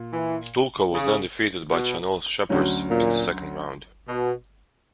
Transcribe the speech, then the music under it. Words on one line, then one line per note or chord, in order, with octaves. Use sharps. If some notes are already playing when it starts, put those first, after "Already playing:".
Dulko was then defeated by Chanelle Scheepers in the second round.
Already playing: A#2
E3
C#3
B2
D2 G2 D3 F#3 C#4
A#2
B2